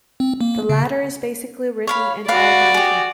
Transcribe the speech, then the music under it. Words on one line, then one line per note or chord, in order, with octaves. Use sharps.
The latter is basically written in Old Manchu.
C4
A#3
C#3
C#5 F5 B5
F#4 B4 D5 F5
G4 G#4